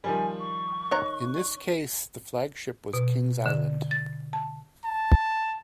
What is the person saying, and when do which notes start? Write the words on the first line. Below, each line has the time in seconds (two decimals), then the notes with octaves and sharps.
In this case, the flagship was Kings Island.
0.04 D#3 F3 G3 G#5
0.39 C#6
0.91 D#3 C#5 A#5 F#6
2.93 B2
3.46 D3
3.91 A6
4.33 A5
4.84 A5